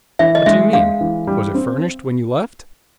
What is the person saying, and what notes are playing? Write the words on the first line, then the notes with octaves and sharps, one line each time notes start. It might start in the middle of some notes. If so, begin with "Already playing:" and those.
'What do you mean?--was it furnished when you left?'
E3 E5
D#5
G#3 E5
G#3 F5
E3
G3
C4